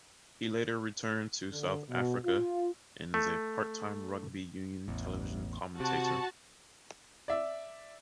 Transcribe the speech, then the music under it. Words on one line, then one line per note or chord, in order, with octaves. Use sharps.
He later returned to South Africa, and is a part-time rugby union television commentator.
D3
B2
F4
A3
A1 E2
C3 F#4 A5
D5 E5